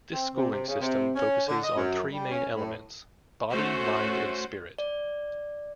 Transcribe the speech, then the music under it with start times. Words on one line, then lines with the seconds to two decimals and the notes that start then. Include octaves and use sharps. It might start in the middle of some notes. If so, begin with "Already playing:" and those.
This schooling system focuses on three main elements: body, mind and spirit.
0.13 C4
0.35 C3
0.51 C3
0.68 C#3
0.81 C3
1.15 C#4
1.47 D3
1.63 D#5
1.77 F#2
2.12 G3
2.31 C#4
2.55 A2
3.49 A3 C#4 F#4 C5
4.79 D5